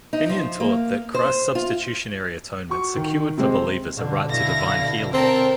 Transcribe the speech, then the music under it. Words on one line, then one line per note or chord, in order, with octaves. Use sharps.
Kenyon taught that Christ's substitutionary atonement secured for believers a right to divine healing.
D#4
F3
A#3
C5
F4
F#4 C#6
D#3
C3 G#3 C4
B2 D3
B2 D3 E4 F5 A#6
C4 A4 A#4 G5